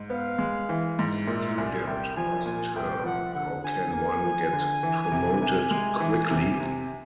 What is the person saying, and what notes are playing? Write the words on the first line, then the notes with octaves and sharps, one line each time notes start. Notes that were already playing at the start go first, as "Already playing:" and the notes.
A student asked her, how can one get promoted quickly?
Already playing: G#2
B3 F5
G#3
E3
G#2
A#2 E5
C2 G#5
C2 G5
F3 G#5
A#2 G#5
C2 G5
F3 F#5
D3 F#5
D3 G#5
A#3 G#5
F3
D3
E3
C3
C3
G#3
E3
C3
C3